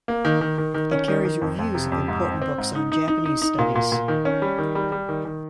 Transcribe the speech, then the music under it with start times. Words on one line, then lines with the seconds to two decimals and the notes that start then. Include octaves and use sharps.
It carries reviews of important books on Japanese studies.
0.08 A#3
0.25 D#3
0.41 D#3
0.58 D#3
0.74 D#3
0.91 C#4
1.08 D#3
1.25 D#3
1.41 F2
1.59 F2
1.75 C3
1.92 F2
2.08 G#2
2.25 C4
2.42 C4
2.58 G#2
2.75 D#4
2.92 D#4
3.08 D#4
3.26 D#4
3.42 D#4
3.58 A#2
3.75 A#2
3.92 A#2
4.08 D#3
4.25 C#4
4.42 G3
4.58 D#3
4.75 G3
4.92 G3
5.09 D#3
5.25 D#3